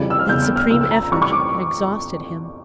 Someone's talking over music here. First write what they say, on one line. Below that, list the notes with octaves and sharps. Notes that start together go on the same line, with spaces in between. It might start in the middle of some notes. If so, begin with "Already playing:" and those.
That supreme effort had exhausted him.
Already playing: F2 C#3 E3 G3
E6
F6
E2 C#3 G3 G6
F6
F6
C#2 C#3 F3 A3 E6
E6
A#5
F2 E3 G3 C#6
C#6
D6